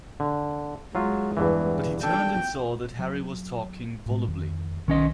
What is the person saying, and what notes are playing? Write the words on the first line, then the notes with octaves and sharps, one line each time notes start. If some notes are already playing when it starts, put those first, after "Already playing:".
But he turned and saw that Harry was talking volubly.
D3
F#3 G#3 F4
E2 G2 E3
D4 A4 G5
F#3
A2 G#3
F2 D#3
B1 D#3 C#4 D#5